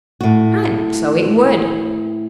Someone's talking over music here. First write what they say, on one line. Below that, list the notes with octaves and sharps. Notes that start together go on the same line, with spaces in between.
And so it would.
A2 F#4